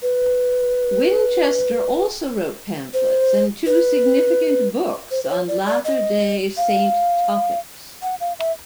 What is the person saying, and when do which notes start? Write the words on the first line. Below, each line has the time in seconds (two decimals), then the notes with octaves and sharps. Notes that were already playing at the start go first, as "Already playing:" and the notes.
Winchester also wrote pamphlets and two significant books on Latter Day Saint topics.
0.02 B4
2.94 C5
3.66 B4
5.11 C5
5.24 C5
5.30 C#5
5.48 D5
5.67 D5
5.85 D#5
6.57 F5
8.02 F#5
8.20 F5
8.39 E5